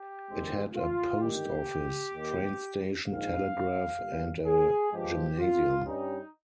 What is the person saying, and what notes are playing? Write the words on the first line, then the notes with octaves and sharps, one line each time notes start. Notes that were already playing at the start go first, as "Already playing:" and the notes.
It had a post office, train station, telegraph and a gymnasium.
Already playing: G4
G1 G2 D#3 G#3 C4
F4
G1 G2 D#3 G4
D#2 D#3 A#3
A#1 G#2 D#3 F5
G1 G2 G3 A#3
G#4
G2 F3 G#3 G4
F4
G2 G3 C#4 D#4